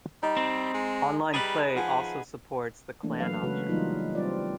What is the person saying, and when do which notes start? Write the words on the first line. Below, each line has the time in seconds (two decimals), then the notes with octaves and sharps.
Online play also supports the clan option.
0.23 G3 D#4
0.37 C4
0.73 G#3
1.34 G3 G#4 B4
1.76 F3 F#5 G#5
3.03 E3 A3 A#3 D4
3.20 F#3 A4 B4 F5
3.43 C#3 G#3 F#4 B4
3.69 E3 F#3 G3 A#3 D#4 F4
4.15 G3 C4 F4 D5